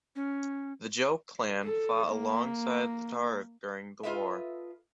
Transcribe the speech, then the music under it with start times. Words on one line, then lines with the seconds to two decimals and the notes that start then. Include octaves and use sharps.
The Jo clan fought alongside the Taira during the war.
0.16 C#4
1.65 A4
2.08 A#3
4.03 F4 A4 B4 D#5 E5